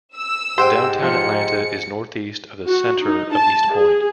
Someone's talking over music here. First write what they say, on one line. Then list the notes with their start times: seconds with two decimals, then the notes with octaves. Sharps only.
Downtown Atlanta is northeast of the center of East Point.
0.16 E6
0.58 G#2 G4 C5 F#5 G5
1.02 F3 C#7
2.67 F#4
3.01 D#4
3.34 A5
3.74 G#4